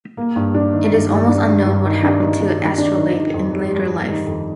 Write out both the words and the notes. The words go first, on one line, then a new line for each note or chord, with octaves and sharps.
It is almost unknown what happened to Astrolabe in later life.
A#3
G2
D4
D#3
G2
G2
D4
G2
G2
D#3
D4
D#3
D4
D#3
D4
D#3
D#3
F2
G3
G3
G3
D#3
F2